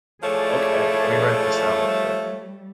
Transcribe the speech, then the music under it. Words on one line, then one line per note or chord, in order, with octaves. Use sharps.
Okay, let me write this down real quick.
F3 A3 E4 G#4 C#5 D5
G3